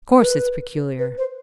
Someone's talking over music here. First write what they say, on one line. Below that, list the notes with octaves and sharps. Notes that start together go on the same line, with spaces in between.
Of course it's peculiar.
A#4
B4
B4
C5